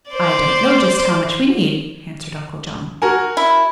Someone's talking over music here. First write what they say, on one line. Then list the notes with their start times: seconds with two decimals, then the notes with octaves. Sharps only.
"I don't know just how much we need," answered Uncle John.
0.11 C5 D5
3.02 F#4 A#4 G#5
3.37 E4